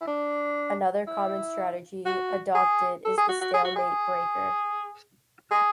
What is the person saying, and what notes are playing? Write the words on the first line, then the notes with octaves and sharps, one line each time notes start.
Another common strategy adopted is the "stalemate-breaker".
E4
D4
E4
F#4
G#4
A4
G#4
F#4
F#4
G#4
F#4
G#4
G#4